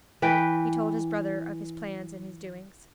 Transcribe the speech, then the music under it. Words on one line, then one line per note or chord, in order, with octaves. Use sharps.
He told his brother of his plans and his doings.
E3 B4 G5